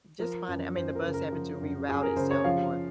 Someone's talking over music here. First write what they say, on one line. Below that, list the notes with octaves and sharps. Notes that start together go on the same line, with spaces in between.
just fine. I mean, the bus having to reroute itself or
F3 A#4
F#2
F#2 C5
A#4
C#3
A#4
F3
F#2
F#2 G#4
A#4
C#3 C5
C#5
F3 F5